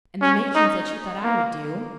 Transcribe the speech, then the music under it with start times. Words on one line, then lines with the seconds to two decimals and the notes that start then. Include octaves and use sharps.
And the matron said she thought I would do.
0.21 C#4
0.55 D#4
1.23 A#3